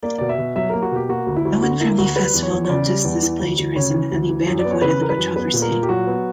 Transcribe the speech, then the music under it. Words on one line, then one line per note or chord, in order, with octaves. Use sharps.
No one from the festival noticed this plagiarism and the band avoided the controversy.
A#3 D5
B2 D5
E5
B2
F#3 E5
A#3 A#4
F#4
B2 G4
A#3 F#4
D2
E4
D2
D3 F#4
A#3 E4
D2 F#4
G3 B4
E2
C#5
E2
C#5
C#3 D5
G3
E2
E3
D2
D2
C#3 C#5
E3
D2
E3
F#2
D5
B3
C#5
C#3 B4
E3 A#4
B4
F#2
B3 B4
A#2
A#4
A#2
G4
F#3 F#4
B3